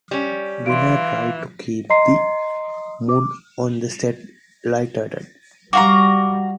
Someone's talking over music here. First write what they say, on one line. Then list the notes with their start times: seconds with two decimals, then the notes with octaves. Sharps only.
Winner tried to keep the mood on the set lighthearted.
0.11 G3 C#4
0.66 E3 F5 C6 D7
1.90 D#5 A#5 C6 C7
3.09 D6
5.73 G3 F#4 F5 A#5 D6